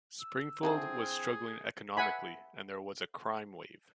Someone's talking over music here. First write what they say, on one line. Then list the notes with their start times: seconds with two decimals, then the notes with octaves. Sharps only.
Springfield was struggling economically, and there was a crime wave.
0.20 E6
0.63 D3 E3 C4 G#4 A5
1.97 E5 F#5 G#5 B5